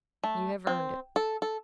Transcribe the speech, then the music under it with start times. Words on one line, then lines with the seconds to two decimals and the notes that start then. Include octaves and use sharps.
You have earned it.
0.24 A3
0.67 C4
1.16 A4
1.42 A4